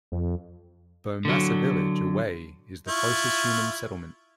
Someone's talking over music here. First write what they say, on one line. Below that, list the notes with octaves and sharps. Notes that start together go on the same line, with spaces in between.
Bomassa village, away, is the closest human settlement.
F2
D3 F#3
E4 F4 C#6